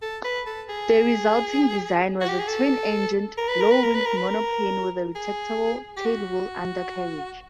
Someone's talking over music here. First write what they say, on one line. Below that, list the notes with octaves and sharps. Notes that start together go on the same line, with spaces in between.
The resulting design was a twin-engined, low-winged monoplane with a retractable tailwheel undercarriage.
A4
B4
A4
G#4
F#4
G4
G#4
A4
A#4
B4
A#4
B4
A#4
B4
A#4
B4
A#4
G#4
G4
F#4